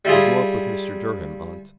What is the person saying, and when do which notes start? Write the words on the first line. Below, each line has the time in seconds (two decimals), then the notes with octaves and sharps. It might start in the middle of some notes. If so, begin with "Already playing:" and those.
"You go up with Mr. Durham, aunt."
0.05 G3 E4 F4 G#4